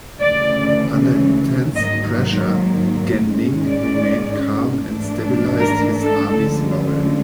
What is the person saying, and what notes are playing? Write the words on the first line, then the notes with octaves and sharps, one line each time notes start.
Under intense pressure, Gan Ning remained calm and stabilized his army's morale.
D2 C#3 E3 A3 C#4 D5
G#2 D#3 F#3 A#3 D#5
G#2 D#3 G#3 C#4
D5
G#2 E3 A3 D4
A#4
A4
D2 D3 F3 G#3 C#4